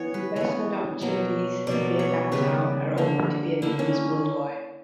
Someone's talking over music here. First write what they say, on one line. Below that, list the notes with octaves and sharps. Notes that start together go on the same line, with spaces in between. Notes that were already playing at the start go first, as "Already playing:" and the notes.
Investment opportunities in Vietnam Town are open to Vietnamese worldwide.
Already playing: E3 B3 C#5
B4
E3 B3 C#5
B2 F#3 A#3
B2 F#3 A#3 D5
C#5
C#3 G3 B3 B4
D3 A#3
D3 A#3 E4
C#4